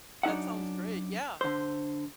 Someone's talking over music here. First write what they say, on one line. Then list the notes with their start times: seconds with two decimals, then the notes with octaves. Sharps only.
That sounds great, yeah.
0.23 F#2 D4 D#4 E5 F#5
1.41 D3 C5